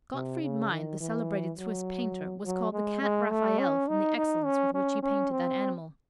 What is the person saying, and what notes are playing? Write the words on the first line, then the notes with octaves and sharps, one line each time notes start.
Gottfried Mind, the celebrated Swiss painter, was called the "Cat Raphael," from the excellence with which he painted that animal.
C3
C#3
D#3
E3
F#3
F#3
G#3
G#3
A3
C#4
D#4
D#4
C#4
C#4
C#4
C4